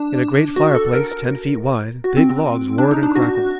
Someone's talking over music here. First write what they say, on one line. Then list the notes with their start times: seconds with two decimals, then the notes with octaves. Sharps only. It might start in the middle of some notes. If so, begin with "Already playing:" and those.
In a great fireplace ten feet wide big logs roared and crackled.
Already playing: D4
0.56 F#4
0.75 A4
0.93 A#4
1.12 A#4
2.04 F#4
2.17 C4
2.29 C4
2.78 D4
2.91 D#4
3.03 D4
3.15 F#4